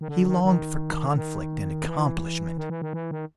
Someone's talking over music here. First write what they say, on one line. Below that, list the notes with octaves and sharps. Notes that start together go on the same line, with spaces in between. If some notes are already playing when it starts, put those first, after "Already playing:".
He longed for conflict and accomplishment.
D#3
D3
D#3
D#3
D3
D#3
E3
D#3
E3
D#3
E3
D#3